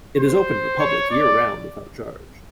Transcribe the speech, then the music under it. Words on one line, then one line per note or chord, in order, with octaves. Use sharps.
It is open to the public year-round without charge.
C5
C#5
D5